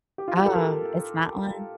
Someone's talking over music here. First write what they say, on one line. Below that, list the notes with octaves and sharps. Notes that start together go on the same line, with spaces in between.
Ah, it's that one?
G4
F4
G4
A4
A#4